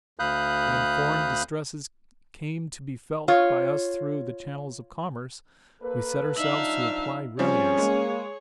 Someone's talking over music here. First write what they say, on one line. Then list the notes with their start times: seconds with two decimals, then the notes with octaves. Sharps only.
When foreign distresses came to be felt by us through the channels of commerce, we set ourselves to apply remedies.
0.19 D2 F5 B5 D#6 F#6 G6
3.28 F4 C#5
5.82 A#3 A4 B4
6.37 F3 D4 D#4 E5 F5 F#7
7.39 F3 G3 C4 C#4 G#4 C#5
7.78 G#3 A#3